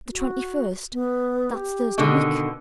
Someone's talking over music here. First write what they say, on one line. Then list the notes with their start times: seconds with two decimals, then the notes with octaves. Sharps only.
'The twenty-first--that's Thursday week.
0.12 F#4
0.93 B3
1.53 G4
1.98 B2 D3 D#3